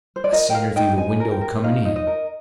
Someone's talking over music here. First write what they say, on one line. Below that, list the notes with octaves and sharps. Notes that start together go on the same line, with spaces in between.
I seen her through the window a-comin' in.
C5
D5
A#4 D#5
G5
A#4 F5
D#4 G5
D#4 G#5
A#4
G5
A#4
D#4 F5
D#4
D#5
A#4